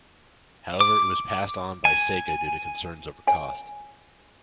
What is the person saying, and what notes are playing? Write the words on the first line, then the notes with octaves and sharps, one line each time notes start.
However, it was passed on by Sega due to concerns over cost.
D6
G#5
G#5